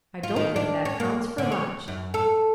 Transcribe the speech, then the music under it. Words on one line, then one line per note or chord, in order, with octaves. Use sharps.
I don't think that counts for much.
F4
D#3
D4
C#4
A#3
D3
C#5
F#2
A4